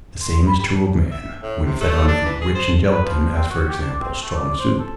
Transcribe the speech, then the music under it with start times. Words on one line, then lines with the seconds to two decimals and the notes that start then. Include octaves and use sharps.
The same is true of man, when fed on food rich in gelatine, as, for example, strong soup.
0.21 C6
0.45 B5
0.58 G4
1.11 E5
1.42 A2
1.64 C3
1.80 A3
2.08 D4
2.25 E3
2.41 G#4
2.55 C5
2.91 B4
3.06 F3
3.36 C4
3.51 F#4
3.68 G4
3.81 D4
4.00 C4
4.22 A3
4.35 D5
4.59 C5
4.79 A4